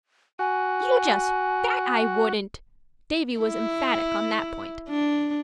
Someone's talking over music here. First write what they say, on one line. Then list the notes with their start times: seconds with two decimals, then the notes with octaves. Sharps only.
"You just bet I wouldn't!" Davy was emphatic on that point.
0.39 F#4 G#5
3.40 E4
4.88 D4